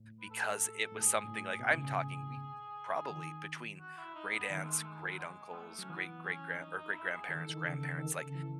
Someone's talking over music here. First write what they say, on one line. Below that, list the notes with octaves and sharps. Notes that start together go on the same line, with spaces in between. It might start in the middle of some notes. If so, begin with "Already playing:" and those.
because it was something, like, I'm talking, we probably, between great-aunts, great-uncles, great-great-grand or great-grandparents, grandparents, like,
Already playing: A2
B4
A4
A4
A2
G#2 G#4
A2
B2
C#3
D#3
F#4
E4
D#4
B3
D#3 B3
A3
G#3
A3
G#3
F#3
G#3
B3
A3
F#3 C#4
E3 B3
C#4
D#4
D#4
E4
G#4
D#3 A4
E3
D#3
C#3
D#3
C#3
E3